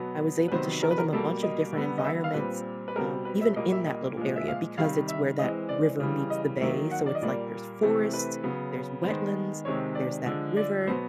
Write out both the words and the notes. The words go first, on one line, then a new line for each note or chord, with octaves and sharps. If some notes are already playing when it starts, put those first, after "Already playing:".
I was able to show them a bunch of different environments, um, even in that little area because it's where that river meets the bay. So, it's like, there's forests, there's wetlands, there's that river
Already playing: B2 F#3 B3
B4
C3 D#3 F#3 B3 C5
A#4
B4
A#4
B2 G3 A#3 A4
D#5
D3 G3 B3
D#5
E5
F5
A#2 G3 C4 B4
B4
B2 G3 C4 A#4
B4
E5
A#2 G3 A#3 D#5
E5
D#5
A#2 F3 G#3
E5
F5
C3 D#3 G3 F5
E5
E3 G#3 C4 D#5
D5
C#3 E3 G3
D#5
D#3 F#3 A#3 E5
F#5
D5
D#5
A#2 G3 A#3 D5
C3 E3 A3 C4
B4
C#3 F#3 B3
D#3 G#3 B3 C5
C3 D#3 G#3 C4 C#5
D5
D3 F3 G#3
D5
B2 F#3 B3 C5